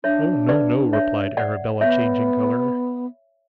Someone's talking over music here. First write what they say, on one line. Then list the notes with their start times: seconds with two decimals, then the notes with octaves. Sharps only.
'Oh, no, no,' replied Arabella, changing colour.
0.04 D4 C#5 E5
0.49 B4 D5
0.93 C#5 E5
1.37 D5 F#5
1.81 B3 C#5 E5